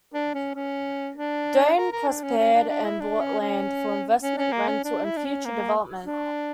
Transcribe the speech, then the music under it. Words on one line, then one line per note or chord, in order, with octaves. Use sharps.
Duane prospered and bought land for investment, rental, and future development.
D4
C#4
C#4
D4
A#4
A#4
D4
C#4
C#4
D4
D4
E4
D4
C#4
C#4
C#4
C#4
A#3
C#4
D4
E4
D4
C#4
A#3
D4